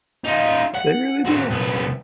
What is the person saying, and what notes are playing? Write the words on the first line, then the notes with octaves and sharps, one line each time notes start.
they really do.
D#4 F4
F#5
C4 F#4
C2 B3